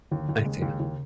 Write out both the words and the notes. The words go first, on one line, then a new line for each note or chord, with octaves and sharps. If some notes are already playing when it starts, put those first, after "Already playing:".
I see.
D#2 D3
D#2
C#3
G#3
D#2
D#2